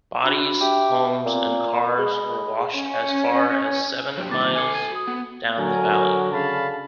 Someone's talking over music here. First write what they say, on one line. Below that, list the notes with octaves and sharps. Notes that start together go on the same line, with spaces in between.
Bodies, homes, and cars were washed as far as seven miles down the valley.
D4 F#4 B5
G4 E5
A#2 C4
B5
G#3
C#4
F#3 D4 G4
A#2 D#3 G3 D6 A6
A4 G#5 D6 G#6 C#7
G#6 D#7
F#4 D#6
B3
D3 F#3 A#4 G#5
C#3 F5 A5 B5